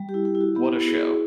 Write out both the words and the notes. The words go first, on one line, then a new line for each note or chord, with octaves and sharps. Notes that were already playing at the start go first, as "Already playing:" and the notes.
What a show!
Already playing: G3
G4
E4
G4
E4
F#4
B3 G4
E4
F#4 G#4
E4